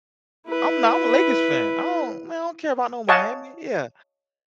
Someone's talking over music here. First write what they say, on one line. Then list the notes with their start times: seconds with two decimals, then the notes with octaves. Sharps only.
I'm not I'm a Lakers fan. I don't man, I don't care about no Miami. Yeah,
0.48 E4 B4
3.09 C#5 D#5 F5 F#5 G#5 A5